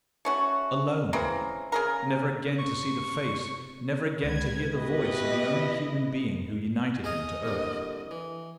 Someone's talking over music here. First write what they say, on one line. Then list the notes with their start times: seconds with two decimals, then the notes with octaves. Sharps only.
Alone!--never again to see the face, never again to hear the voice of the only human being who united him to earth!
0.25 A3 C#4 F#4
1.13 C#3 E3 C4 A#4
1.72 C#3 G#4 A#4
2.59 C3 C#6
4.23 C#2 B4 G#6
4.73 B2 E4 G4 B4 D#5
7.04 G#4 D#5 F5 D#6
7.43 C2 D3 A#3
8.11 E3